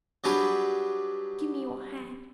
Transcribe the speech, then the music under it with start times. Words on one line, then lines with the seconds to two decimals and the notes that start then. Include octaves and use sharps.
Give me your hand.
0.24 F#3 G3 D4 G#4 B4